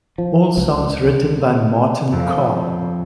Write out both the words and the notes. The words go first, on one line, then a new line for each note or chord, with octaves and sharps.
All songs written by Martin Carr.
F3
C#2
F2